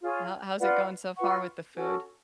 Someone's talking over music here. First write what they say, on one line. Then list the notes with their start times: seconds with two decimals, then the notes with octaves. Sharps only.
How how's it going so far with the food?
0.01 F4 G#4 C#5
0.59 F4 B4 D5 F#5
1.17 F4 B4 F#5 C#6
1.74 C#4 F#4 A4